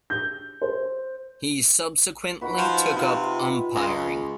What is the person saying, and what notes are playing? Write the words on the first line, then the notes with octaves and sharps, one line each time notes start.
He subsequently took up umpiring.
G6
C5
D#4 F#4 B4
F3
C3 F4
C#2 G#3 C#6 D6